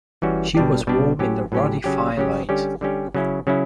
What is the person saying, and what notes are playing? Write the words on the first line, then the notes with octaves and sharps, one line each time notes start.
She was warm in the ruddy firelight.
E3 G3 C#4 F#4
B2 G3 D4 G4
B2 G3 D4 G4
A2 F#3 C#4 G4
A2 F#3 C#4 G4
C#3 F#3 C#4 G4
C#3 F#3 C#4 G4
D3 G3 C#4 G4
D3 G3 C#4 G4
C#3 F#3 C#4 E4
C#3 F#3 C#4 E4